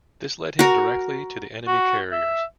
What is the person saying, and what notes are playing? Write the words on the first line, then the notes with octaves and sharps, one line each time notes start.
This led him directly to the enemy carriers.
F#4 A#4
F#4
E5